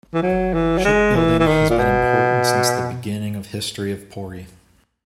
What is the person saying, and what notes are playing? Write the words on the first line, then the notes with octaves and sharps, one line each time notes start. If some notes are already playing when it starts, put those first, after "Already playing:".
Ship building has been important since the beginning of history of Pori.
E3
F#3
E3
F#3
G#3
E3
E3
D#3
A#2
B2